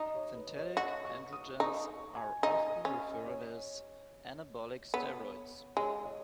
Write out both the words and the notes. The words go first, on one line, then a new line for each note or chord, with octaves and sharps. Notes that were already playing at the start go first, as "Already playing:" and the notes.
Synthetic androgens are often referred to as anabolic steroids.
Already playing: D#4 D#5
C#5
B4
C#5
F#4 D#5
C#6
D#6
D#4 C#6
G#5
D#4 D#5
C#4
C#5
B3 C#5
G#3 C#5
D#5